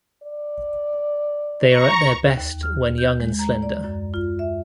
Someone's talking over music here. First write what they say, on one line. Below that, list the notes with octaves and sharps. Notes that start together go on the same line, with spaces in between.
They are at their best when young and slender.
D5
A#5 C#6
D#2
F6
G6
G#3
A#5
D5
F#2
F4
E5